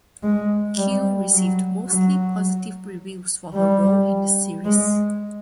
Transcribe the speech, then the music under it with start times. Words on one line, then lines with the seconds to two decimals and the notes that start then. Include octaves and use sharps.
Q received mostly positive reviews for her role in the series.
0.23 G#3
0.77 G3
1.33 F#3
1.88 F#3
3.54 G3
4.65 G#3